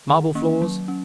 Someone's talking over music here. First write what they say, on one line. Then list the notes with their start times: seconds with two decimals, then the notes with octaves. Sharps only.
Marble floors.
0.09 D#3
0.35 A#3 C#4
0.62 F#3
0.88 C#4